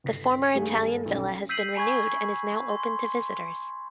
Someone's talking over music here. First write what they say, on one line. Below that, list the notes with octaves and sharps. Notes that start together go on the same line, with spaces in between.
The former Italian villa has been renewed and is now open to visitors.
G1 B6 C7
G#1 G2 A3 G#4
A4
B1 C#4
E6 G6 B6 C7 D#7 F#7
G#5 B5 C#6 G#6
C6